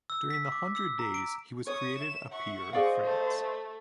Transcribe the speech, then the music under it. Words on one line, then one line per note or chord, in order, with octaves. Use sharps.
During the Hundred Days he was created a Peer of France.
E6
B6
D6
E6
A#5
D7
C#5 C#6 D#6
E5 E7
E5 F#5 C#6
G#4 C5 D5 D#5 F5
A3